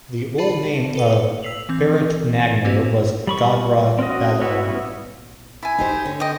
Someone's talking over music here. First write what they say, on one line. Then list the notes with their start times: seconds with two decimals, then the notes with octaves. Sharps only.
The old name of Biratnagar was Gograha Bazaar.
0.38 F4 G#4 D5 A5 B5
0.95 A4 B4
1.43 E6 B6 C7 F7 F#7
1.69 E3 C4 G6
2.64 A#3 C4 F#4 G4
3.27 G3 B5 C#6
3.99 C4 C#4 F#4 D#5
4.41 E4 F#4 B4 C#5
4.65 G3 B3 C#4 E4
5.63 E4 G#5
5.78 D#4 G4 C5
6.06 D3 C#5
6.20 D#5 G5